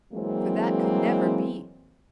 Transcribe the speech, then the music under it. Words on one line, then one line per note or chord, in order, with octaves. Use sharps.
For that could never be.
E3 F#3 G#3 A#3 C4